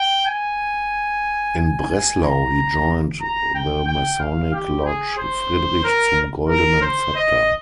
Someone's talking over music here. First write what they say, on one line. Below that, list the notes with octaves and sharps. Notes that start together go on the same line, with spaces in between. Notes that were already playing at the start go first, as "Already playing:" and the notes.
In Breslau he joined the masonic lodge "Friedrich zum goldenen Zepter".
Already playing: G5
G#5
G#5
G#5
A#5
A#5
G5
G5
F5
G4
G#4
C5
A#4
A#4
C5
D#5